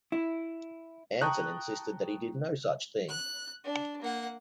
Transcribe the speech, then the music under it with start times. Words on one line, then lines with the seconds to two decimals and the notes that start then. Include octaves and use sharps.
Anson insisted that he did no such thing.
0.12 E4
1.21 G5 A5 A#5 C#6 D#6 F#6
3.09 F#6
3.64 D4
4.02 A#3 F#5